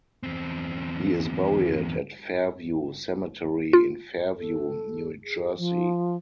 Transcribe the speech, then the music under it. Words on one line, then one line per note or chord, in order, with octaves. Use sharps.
He is buried at Fairview Cemetery in Fairview, New Jersey.
E2 C4
F4
A4
G#4
F3